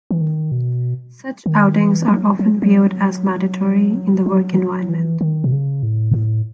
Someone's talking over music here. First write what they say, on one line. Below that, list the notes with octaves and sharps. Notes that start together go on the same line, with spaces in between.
Such outings are often viewed as mandatory in the work environment.
E3
D#3
B2
D#3
E3
F#3
F#3
F#3
F#3
E3
F#3
E3
D#3
B2
C#3
A2
A2